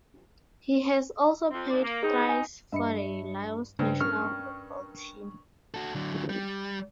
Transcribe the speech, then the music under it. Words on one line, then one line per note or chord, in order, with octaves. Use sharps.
He has also played thrice for the Laos national football team.
F2 C4
D#2 G#2 D5
A#3
B2 C4 D#4 G#4
G#5
G2 D#5 E5 B5 C#7
G2 C#3 C5
C#4 A#4 C#6 F6
F#4 A4
D3 F#3
G3